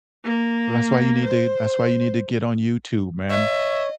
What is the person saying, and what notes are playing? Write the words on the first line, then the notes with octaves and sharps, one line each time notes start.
Well, that's why you need to that's why you need to get on YouTube, man.
A#3
C5
C#5 D#5 E5